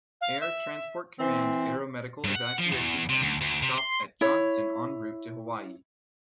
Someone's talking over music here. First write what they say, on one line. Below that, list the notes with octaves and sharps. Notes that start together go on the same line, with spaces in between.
Air Transport Command aeromedical evacuation planes stopped at Johnston en route to Hawaii.
F5
E5
E3 C4
G2
F#5
F3
E2
C3
D2
D2
C3
C6
E4 C#5